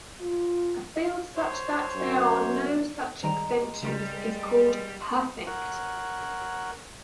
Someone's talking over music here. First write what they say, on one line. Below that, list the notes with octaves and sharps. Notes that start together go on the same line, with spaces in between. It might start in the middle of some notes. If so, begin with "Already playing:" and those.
A field such that there are no such extensions is called "perfect".
F4
C5 C#5
F#2
D#3 G3 G#3 A#5 D7
C#3 G3 C#4 A#4
A#4 C#5 F#5